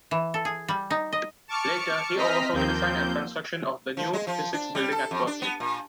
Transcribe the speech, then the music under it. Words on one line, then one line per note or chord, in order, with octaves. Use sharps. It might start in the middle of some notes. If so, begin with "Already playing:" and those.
Later, he oversaw the design and construction of the "new" physics building at Berkeley.
E3
A4
G#4
G3
D#4
D#5
A5 C#6 D6 F6 C#7
C4 D#5 A#5 F6 B6
D#2 F3 A#3 C4 G6
F3
G#3
F3
D4
G3
A4
F2
D4
B3
A#2